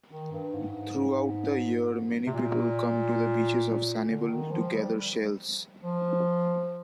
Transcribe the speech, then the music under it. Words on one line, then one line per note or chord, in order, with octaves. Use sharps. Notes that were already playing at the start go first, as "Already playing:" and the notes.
Throughout the year, many people come to the beaches of Sanibel to gather shells.
D#3
G2
G#2
C3
A#2
D3
D#3
F3
G3
F3